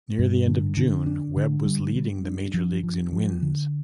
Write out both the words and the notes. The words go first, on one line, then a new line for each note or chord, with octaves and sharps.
Near the end of June, Webb was leading the major leagues in wins.
G2
D3
D3
D4
D3
G3
G3
D4
F3
F3
F3
D3